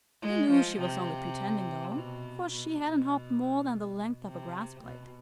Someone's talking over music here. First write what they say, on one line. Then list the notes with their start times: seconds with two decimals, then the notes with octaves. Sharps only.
He knew she was only pretending, though, for she hadn't hopped more than the length of a grass-blade.
0.22 G#3
0.51 F3
0.80 C3
1.95 B2
2.52 B2
4.25 C3
4.83 B2